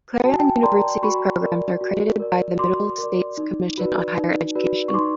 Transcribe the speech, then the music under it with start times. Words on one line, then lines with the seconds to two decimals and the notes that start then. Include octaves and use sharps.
Clarion University's programs are accredited by the Middle States Commission on Higher Education.
0.25 F#4 A5
0.32 G#5
0.39 G5 A5
0.63 A#4 D5 A#5 C6
1.03 F#4 B5 C#6
1.42 A#4 D5
1.81 F#4
2.20 A#4 D5
2.59 F#4 C6 D6
2.98 A#4 D5
3.37 D#4
3.78 F#4 B4 D5
4.17 D#4
4.55 F#4 B4 D5
4.88 C#6
4.94 D#4 C6 D6